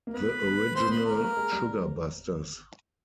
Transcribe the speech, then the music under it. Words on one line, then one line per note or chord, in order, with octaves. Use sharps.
The original Sugar Busters!
A#3
B3 B4
C4 C5
B3
B4
A#3
A#4
A#3
G#3
G3